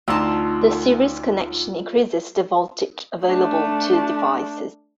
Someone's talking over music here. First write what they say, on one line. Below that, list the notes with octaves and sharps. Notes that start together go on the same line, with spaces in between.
The series connection increases the voltage available to devices.
D2 D#4 F4 D5 A5 A#5 C6 E6
A3 D4